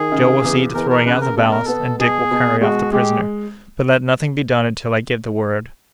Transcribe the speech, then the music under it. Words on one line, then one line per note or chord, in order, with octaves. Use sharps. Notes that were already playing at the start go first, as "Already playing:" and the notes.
Joe will see to throwing out the ballast, and Dick will carry off the prisoner; but let nothing be done until I give the word.
Already playing: D#3 G#4
C#3
E2
E2 A#4
A#4
C#3 B4
A#4
B2 A4
A#4
B3 A4
B2 G#4
B2
G#3 F#4
G#3 G4